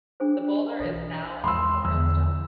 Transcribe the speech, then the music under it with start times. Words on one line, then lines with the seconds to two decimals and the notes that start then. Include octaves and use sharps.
The boulder is now a memorial stone.
0.20 D4 G#4 C5
0.80 B1 E3 A4 C#5
1.44 E2 F3 G#3 B5 C6 D#6 E6
1.85 E2 D3 F3 E6